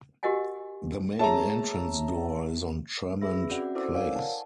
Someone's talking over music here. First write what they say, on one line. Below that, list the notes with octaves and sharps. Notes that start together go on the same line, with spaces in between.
The main entrance door is on Tremont Place.
F#4 G4 A#4 D#5 F#5 G#5
G#4 C#5 E5 A5 A#5
G#4 B4 E5 B5 E6 A#6
C4 C#4 F#4 D5 F#5
E4 A4 C5 D5 D6 E6
A#4 C#5 D5 F5 F#5 G#5
F#5 G#5 A5